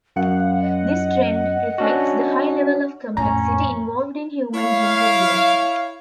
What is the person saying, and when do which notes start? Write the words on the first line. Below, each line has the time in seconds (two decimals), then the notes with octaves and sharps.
This trend reflects the high level of complexity involved in human gene regulation.
0.16 F#2 F5 F#5
0.62 D#5
1.78 C#4 D4 F#4
3.17 F2 A2 C#4 A#5
4.54 E4 C#5 F5